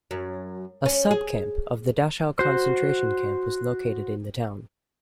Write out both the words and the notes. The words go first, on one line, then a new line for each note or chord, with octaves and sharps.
A subcamp of the Dachau concentration camp was located in the town.
F#2
C#4
G#4
F#4 C5